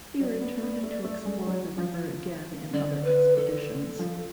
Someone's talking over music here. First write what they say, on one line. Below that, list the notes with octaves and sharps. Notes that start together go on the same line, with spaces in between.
He returned to explore the river again in other expeditions.
F#3 D5
B3
B3
A3
A3
G#3
F#3
F3
D3 D5
B4
A4
F3